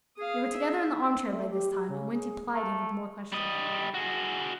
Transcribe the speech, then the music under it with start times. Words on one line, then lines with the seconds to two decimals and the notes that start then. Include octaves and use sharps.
They were together in the armchair by this time, and Wendy plied him with more questions.
0.17 G#4 F5 D#6
0.53 E5
1.29 A3
1.49 G4
1.71 G4
1.88 C#3
2.12 G#4
2.53 A3
3.32 G3 D#5
3.94 F#4 G#4